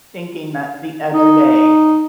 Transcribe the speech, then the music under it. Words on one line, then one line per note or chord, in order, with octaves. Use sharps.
thinking that the other day.
D#4